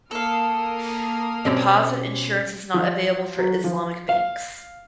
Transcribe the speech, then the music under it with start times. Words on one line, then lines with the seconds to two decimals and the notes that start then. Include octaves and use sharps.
Deposit insurance is not available for Islamic banks.
0.11 A#3 A4 F5 D#6 F6
1.45 B2 C4 C#4 G4 D5
2.74 F3
3.38 F#3
3.64 F3
4.09 F5